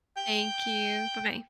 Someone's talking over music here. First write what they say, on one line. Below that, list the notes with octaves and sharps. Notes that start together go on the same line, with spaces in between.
Thank you. Bye bye.
G5